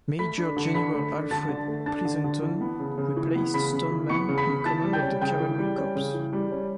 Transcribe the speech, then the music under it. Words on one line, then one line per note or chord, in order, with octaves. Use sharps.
Major General Alfred Pleasonton replaced Stoneman in command of the Cavalry Corps.
A3 B5 B6
D4
D3
C#7
D3 B5 B6
A3
D4
D3 A5 A6
D3
A3
D4 A5 A6
D3
D3
E3
B3
C#3
C#3
E3
B3
C#3 B5 B6
C#3
E3
B3 C#6 C#7
C#3
B5 B6
C#3
E3 A5 A6
G3
G5 G6
C#4
C#3 G5 G6
E3
G3
C#4
C#3
E3
G3
C#4